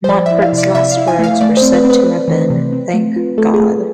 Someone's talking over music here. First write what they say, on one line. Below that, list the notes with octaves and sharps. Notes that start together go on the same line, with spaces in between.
Montfort's last words were said to have been "Thank God".
C5
F3 D5
E4 E5
F5
C3
D5
C3 E5
F5
E4
G#5
A3 F5
A3 D5
C5
C4
B4
C4
B4
A3
E3
C3
C4
A3
F4
A3 A4
G#4
A3